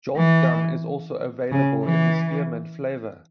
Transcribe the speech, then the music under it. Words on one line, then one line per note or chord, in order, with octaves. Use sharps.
Jolt gum is also available in a spearmint flavour.
E3
C#3
E3